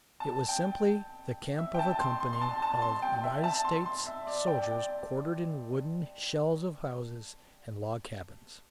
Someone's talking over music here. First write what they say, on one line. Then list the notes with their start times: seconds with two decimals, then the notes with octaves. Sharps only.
It was simply the camp of a company of United States soldiers, quartered in wooden shells of houses and log cabins.
0.20 A5
0.48 G5
1.58 E5
1.74 G5
1.79 A5
2.00 C6
2.20 C6
2.33 C6
2.41 A5
2.62 A5
2.82 C6
3.02 G5
3.24 E5
3.44 A5
3.65 C6
3.86 C6
4.07 E5
4.27 D5
4.47 G5
4.61 D5